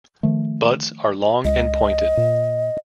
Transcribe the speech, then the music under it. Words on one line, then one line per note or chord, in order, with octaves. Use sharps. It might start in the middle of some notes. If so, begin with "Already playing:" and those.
Buds are long and pointed.
D#3 F3 A3
C#2 D#5
A#2